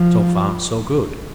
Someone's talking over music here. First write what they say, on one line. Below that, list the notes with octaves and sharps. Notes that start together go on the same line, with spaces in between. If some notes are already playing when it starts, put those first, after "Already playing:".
So far so good.
Already playing: F3